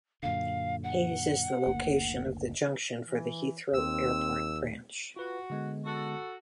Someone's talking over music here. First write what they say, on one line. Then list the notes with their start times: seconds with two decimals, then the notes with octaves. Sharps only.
Hayes is the location of the junction for the Heathrow Airport branch.
0.23 F#2 A#2 D3 F5
0.84 F#5
1.66 F#1 D2 A#3
3.02 E3
3.74 D#2 C4 E6
5.16 F4 F#4 B4
5.50 D3 G#3 B3
5.85 F#4 A4